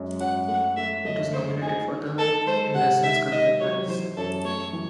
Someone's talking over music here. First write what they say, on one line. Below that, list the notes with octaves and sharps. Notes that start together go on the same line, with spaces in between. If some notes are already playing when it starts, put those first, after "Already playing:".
It was nominated for the Anderson Sculpture Prize.
Already playing: F#2 G#3
F#2 F#5
A3 F#5
A3 E5
A3 D#5
A3 C5
D#4 G#4
D#3
D#3 A4
G#3 C5
C3 F#5
D#3 E5
D#3 D#5
F#3 C#5
E3 C5
F#2 A4
A3 C#5
E3